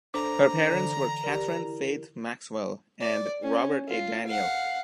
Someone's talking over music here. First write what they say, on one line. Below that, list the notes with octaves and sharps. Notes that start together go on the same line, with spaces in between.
Her parents were Catherine Faith Maxwell and Robert A. Daniel.
D4 A4 C5 A#5 D6
D3 E3 A4
G4 A#4 D5
E4
D5
C#4
F4
F5 F#5